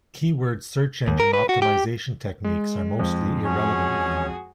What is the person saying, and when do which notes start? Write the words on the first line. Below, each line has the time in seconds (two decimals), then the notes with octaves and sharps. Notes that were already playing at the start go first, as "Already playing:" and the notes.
Keyword search engine optimization techniques are mostly irrelevant now.
1.08 D#2
1.20 A#4
1.33 B4
1.49 F#4
1.62 G4
2.44 G#3
2.99 F2
3.44 C#4 F#4 G#4 C#5